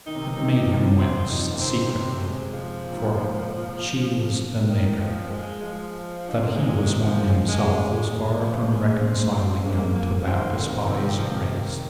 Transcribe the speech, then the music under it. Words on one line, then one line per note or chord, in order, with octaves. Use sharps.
It made him wince, secretly--for she was a "nigger." That he was one himself was far from reconciling him to that despised race.
D#3 D#4
C3
D#3
C3
F3
F3 C4
F3 D#4
C3 A#3
D#3 C4
C3 C4
G#3
F3
A#2
G#2
A#2
D#3
F3
G#3
F3
D#4
C4
C3 A#3
D#3 G#3
F3
G#3
G#3
F3
G#3
C4
F3 C4
G#3 A#3
F3 A#3
D#3 C4
D#3
G#3
F3
C3
F3
D#3